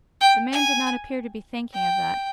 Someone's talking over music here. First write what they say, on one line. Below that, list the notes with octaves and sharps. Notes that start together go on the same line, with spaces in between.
The man did not appear to be thinking of that.
G5
G#5
G5